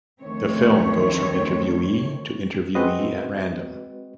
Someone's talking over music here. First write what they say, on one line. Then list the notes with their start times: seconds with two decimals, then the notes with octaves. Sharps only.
The film goes from interviewee to interviewee at random.
0.23 D2 D#3 F3 A3 C4 C#5
2.75 G#3 C4 F#4 B4 D#5